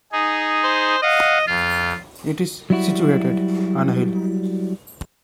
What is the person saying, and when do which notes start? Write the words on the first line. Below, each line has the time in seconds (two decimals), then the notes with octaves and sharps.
It is situated on a hill.
0.12 D#4 G#4
0.64 C5
1.02 D#5 F5 F#5
1.47 F2 F4
2.70 F#3 G3 E4 F#4